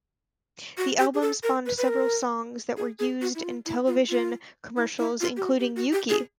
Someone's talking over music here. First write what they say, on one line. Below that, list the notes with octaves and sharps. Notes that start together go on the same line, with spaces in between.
The album spawned several songs that were used in television commercials, including Yuki!
F#4
G4
G#4
A4
A#4
B4
B4
A#4
G#4
G#4
F#4
E4
F4
E4
F4
F4
E4
E4
F4
G4
F#4
G4
F#4
G4
G#4